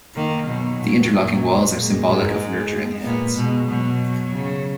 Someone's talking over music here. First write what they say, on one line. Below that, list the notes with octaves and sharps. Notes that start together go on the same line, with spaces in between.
The interlocking walls are symbolic of nurturing hands.
D#3 A#3
B2 F#3
A#2
A#2
A#2 G#3
G#2
A#2 B3
B2 G#3
B2 F#3
C#3